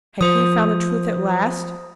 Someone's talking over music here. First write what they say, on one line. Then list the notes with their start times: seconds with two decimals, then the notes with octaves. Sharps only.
Had he found the Truth at last?
0.21 F3 C5 D#6